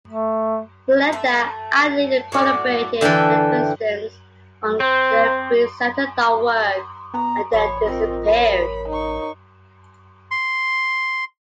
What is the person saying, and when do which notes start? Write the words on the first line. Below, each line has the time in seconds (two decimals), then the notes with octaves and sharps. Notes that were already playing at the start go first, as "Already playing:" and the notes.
Senada allegedly collaborated with The Residents on their pre-"Santa Dog" work, and then disappeared.
0.07 A3
1.12 A3 E5
2.32 A2 F#4 D5
3.01 D3 E3 E5 G5 A5
4.80 C4 C5
7.14 B3 A#5
7.53 A1 C#5 B5
7.86 C4 F4 A#4 D#5
8.28 A#4 C#5 B5
8.88 D#4 C#6
10.31 C6